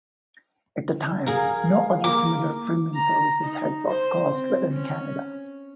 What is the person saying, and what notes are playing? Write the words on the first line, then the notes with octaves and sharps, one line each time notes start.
At the time, no other similar premium services had broadcast within Canada.
G#4 A#4 F5
A#3 A#4 D6
A#5
D#4
C5
C4
C#4